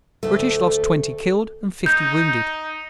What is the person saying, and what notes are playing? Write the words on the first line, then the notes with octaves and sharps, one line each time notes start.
The British lost twenty killed and fifty wounded.
D2 A3
D#4 G6